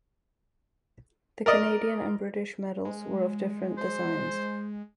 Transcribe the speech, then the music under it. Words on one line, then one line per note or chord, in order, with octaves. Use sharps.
The Canadian and British medals were of different designs.
A#4 D5 D#5
G#3
C5